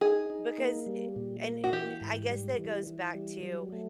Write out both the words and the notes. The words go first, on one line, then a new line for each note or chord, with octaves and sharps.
Because eh, an and I guess that goes back to
D#4 G#4
D#4
A#3
G3
A#2
A#3
F#4
E3 G4
G#2
G3
E3
E3
G3
F#3
A3